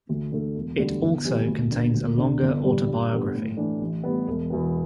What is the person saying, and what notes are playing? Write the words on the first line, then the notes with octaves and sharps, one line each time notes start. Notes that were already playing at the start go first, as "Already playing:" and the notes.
It also contains a longer autobiography.
D2
D3 A3
E1
D2 D3 G3
G1
G2 E3 G3
D2
D3 B3
D2
D3 A3 D4
G1
G2 E3 G3
G2
D3 B3 G4
A2
E3 A3 D4
A1
A2 G3 B3
E1
E2 B2 B3